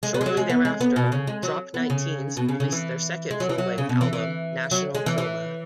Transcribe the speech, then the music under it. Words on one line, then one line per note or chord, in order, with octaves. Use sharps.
Shortly thereafter, Drop Nineteens released their second full-length album, "National Coma".
G#3
B3
G#3
F#3
G#3
B3
G#3
B3
B2
C#3
G#3
F#3
B3
C#3
B2
C#3
C#3
E3
G#3
F#3
E3
F#3
C#3
B2
E3
E3
F#3
G#3
E3
E3